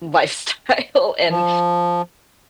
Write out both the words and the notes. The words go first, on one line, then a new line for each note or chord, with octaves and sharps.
lifestyle and
F3